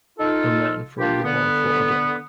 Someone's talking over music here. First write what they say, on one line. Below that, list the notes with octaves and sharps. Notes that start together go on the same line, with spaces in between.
A man throwing a ball for a dog.
D#4 F4 A4
A#3 D4 F4 G4
D3 B3